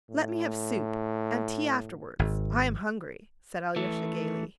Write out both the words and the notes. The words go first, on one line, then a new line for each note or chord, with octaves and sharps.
"Let me have soup, and tea afterwards, I am hungry," said Alyosha gayly.
A2
G#1
E3 A3